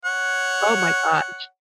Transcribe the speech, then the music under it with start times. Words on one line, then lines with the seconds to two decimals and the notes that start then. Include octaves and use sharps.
Oh my gosh.
0.05 C#5 F#5